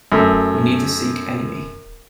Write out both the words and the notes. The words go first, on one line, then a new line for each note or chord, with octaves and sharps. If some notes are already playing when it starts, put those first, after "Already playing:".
We need to seek Amy.
F#2 A3